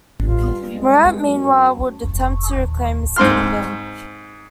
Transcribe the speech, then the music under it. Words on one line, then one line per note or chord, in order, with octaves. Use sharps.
Murat, meanwhile, would attempt to reclaim his kingdom.
G2 F4
G#3
F#2
G#2 C4 C6 F6